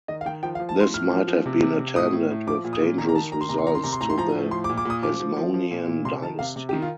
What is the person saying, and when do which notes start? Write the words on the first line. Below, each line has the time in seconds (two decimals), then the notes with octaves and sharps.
This might have been attended with dangerous results to the Hasmonean dynasty.
0.08 D#3 D#5
0.21 F5
0.26 D#3 G5
0.43 F3 G5
0.55 F5
0.59 F3
0.69 A5
0.77 F3 C6
0.94 A2 F6
1.10 F3
1.28 F3
1.46 C3
1.62 C3
1.79 C3
1.96 A2 D#6
2.13 A2
2.31 A2
2.47 F3 D6
2.64 A#2
2.73 D#6
2.81 A#2
2.98 D#3 A#5
3.09 A#5
3.15 D#3 A5
3.32 D#3 A#5
3.41 C6
3.49 C3 A#5
3.58 C6
3.67 D#3 A#5
3.75 C6
3.84 C3 A#5
3.93 C6
4.01 A2 A#5
4.10 C6
4.18 F3 A#5
4.35 A2
4.51 F3 C6
4.64 D6
4.69 A#2
4.78 D6
4.85 A#2 D#6
5.02 F3 D6
5.20 F3
5.37 F3
5.54 F3
5.71 A#2
5.88 A#2
6.05 C3 C6
6.22 D#3 A5
6.39 C3 F5
6.56 C3
6.69 G4
6.73 D#3
6.82 F4